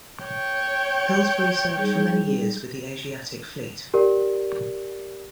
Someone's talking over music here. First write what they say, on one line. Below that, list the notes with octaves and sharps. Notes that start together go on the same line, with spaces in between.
"Pillsbury" served for many years with the Asiatic Fleet.
C#5 G5
G3 D#4 G#4
G4 A#4 D5